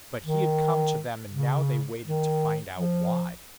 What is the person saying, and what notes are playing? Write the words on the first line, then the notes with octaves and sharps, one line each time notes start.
But he had come to them and now they waited to find out why.
D#3
C#3
D#3
F3